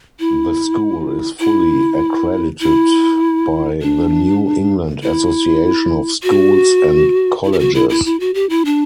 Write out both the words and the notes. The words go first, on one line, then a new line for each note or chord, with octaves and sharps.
The school is fully accredited by the New England Association of Schools and Colleges.
E4
E4
E4
D4
E4
F#4
E4
G4
F#4
E4
E4
E4
F#4
G4
E4
D4